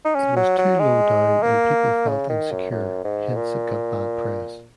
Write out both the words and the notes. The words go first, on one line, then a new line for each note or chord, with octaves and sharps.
It was too low down and people felt insecure, hence it got bad press.
D#4
C#4
F#3
F#3
G#3
A#3
C#3
D#3
F#2
F#2
G#2
A#2